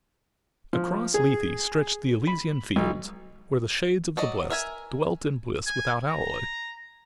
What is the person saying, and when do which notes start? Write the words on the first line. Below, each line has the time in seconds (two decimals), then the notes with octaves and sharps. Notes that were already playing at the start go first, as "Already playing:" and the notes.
Across Lethe stretched the Elysian Fields where the shades of the blest dwelt in bliss without alloy.
0.73 F3
1.14 G#4
2.27 B5
2.76 B1
4.17 F#3 D5 D#5
4.50 A#4 E5 G#5
5.66 G#5
6.08 A#5